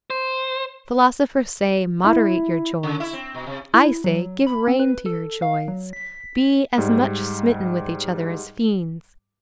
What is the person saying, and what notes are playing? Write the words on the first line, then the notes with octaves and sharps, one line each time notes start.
Philosophers say: 'Moderate your joys.' I say: 'Give rein to your joys.' Be as much smitten with each other as fiends.
C5
E4
C#3
E4
C4
B2
C3
E4
F#3
B5
C4
B4
A4
F5
F#3
B6
G#2 G3